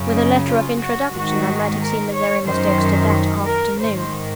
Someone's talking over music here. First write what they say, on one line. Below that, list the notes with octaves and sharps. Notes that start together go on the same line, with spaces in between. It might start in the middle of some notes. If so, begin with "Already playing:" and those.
With a letter of introduction, I might have seen Miserrimus Dexter that afternoon.
Already playing: F#2 C#3
D#4
F4
F#4
G#2 D#3 F#4
A#4
C#5
F#2 D#3 C5
A#4
G#2 D#3 C5